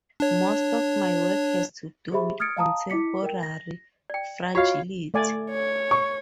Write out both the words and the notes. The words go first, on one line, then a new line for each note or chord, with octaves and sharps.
Most of my work has to do with contemporary fragility.
D4 C#5
G4 G#4 C5 D#5 E5 B5
D#6 F6 G#6 A6 C#7 D7
D#5 F5 A5 A#5 D#6
E4 D#5 D6 B6 C#7
A#4 D#5 G5
A#6
D5 G5
F4 F#4 C#5 D#5 F5
A3 D5 G#5
C#5
C#6